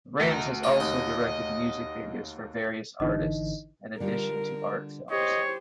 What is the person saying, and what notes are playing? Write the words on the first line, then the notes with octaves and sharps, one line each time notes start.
Rams has also directed music videos for various artists, in addition to art films.
D2 D#4
F4 D#5
D#2 D#6
G#1 D3 E3 D#4 D#5
D3 G3 F4 A#4
G4 C5 C#5 D#5